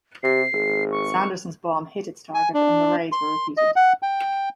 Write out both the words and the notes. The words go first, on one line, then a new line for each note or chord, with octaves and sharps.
Sanderson's bomb hit its target and the raids were repeated.
C3 G4 C7
G#1 G#4
C#6
G#5
D4
C6
D#5
F#5
G5